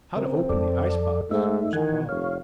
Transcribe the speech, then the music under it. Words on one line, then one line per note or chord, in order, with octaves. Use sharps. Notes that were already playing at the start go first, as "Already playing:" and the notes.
How to open the ice-box was a problem.
C#3 C4 A#4
F2 A4 D5
G#2 A3 D#4 E5
D#3 E3 F#5 G#5
F1 C#5 F5